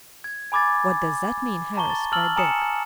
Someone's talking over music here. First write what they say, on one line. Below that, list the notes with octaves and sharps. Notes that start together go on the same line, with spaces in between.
"What does that mean, Harris?" cried Dick.
G#6
G#5 B5 D6 G#6 A6
A5 A#5 C#6 G7
A6
A5 E6 F6 A6 F#7
G#5 A#5 D#6 C#7 E7